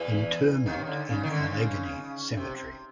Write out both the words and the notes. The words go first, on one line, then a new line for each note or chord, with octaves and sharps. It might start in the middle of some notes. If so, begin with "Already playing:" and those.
Interment in Allegheny Cemetery.
Already playing: E2 E3
D#2 D#3
D3
C#3
D#3
D3
C#3
C3